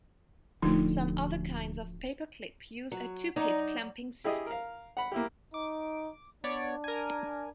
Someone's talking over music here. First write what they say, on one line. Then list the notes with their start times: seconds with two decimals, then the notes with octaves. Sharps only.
Some other kinds of paper clip use a two-piece clamping system.
0.62 D1 D2 D3 F3 A3 D#4
2.92 F#3
3.36 F#3 D#4 D5 A#5
4.24 E4 G4 G#4 D#5
4.47 A#4 F5
4.97 F#5 B5
5.12 A#3 E4 G4
5.54 D#4 D6
6.44 B3 D4 C#5 D5
6.84 A#4 G#5